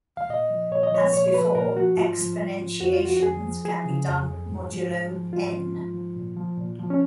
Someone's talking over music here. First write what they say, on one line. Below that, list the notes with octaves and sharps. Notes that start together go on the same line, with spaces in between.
As before, exponentiations can be done modulo "n".
F5
A#2 D#5
F3
A#2 C#5
D#5
F3 C#5
A#2 C#5
C#5
F3 B4
A#2 A#4
F3 F#4
G#2 F4
F3
G#2
F3
F2 F#4
F4
F3 F#4
F#4
F2 G#4
F3
F3 G#4
C#3
F2
F2
G#2
F3
G#2
F3
G#2 F4
F3
G#2
F3
A#2
F3
A#2
F3
C#4